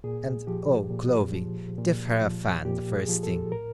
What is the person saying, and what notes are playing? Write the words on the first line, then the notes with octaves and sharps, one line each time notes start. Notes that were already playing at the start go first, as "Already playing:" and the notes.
And, oh, Clovy! give her a fan the first thing.
A#2 G#4
F3 G4
A#2
F3
A#2
F3
A#2 G4
G#4
F3
A4
A2 A#4